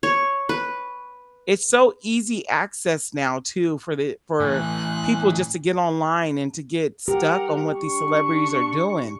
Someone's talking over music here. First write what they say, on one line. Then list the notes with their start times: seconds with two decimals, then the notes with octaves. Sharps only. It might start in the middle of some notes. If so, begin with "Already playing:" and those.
It's so easy access now too, for the for people just to get online and to get stuck on what these celebrities are doing.
0.03 C#5
0.49 B4
4.40 A2 E3 G#5 F#6
7.08 G4 A#4 F#5
7.78 D4 C#6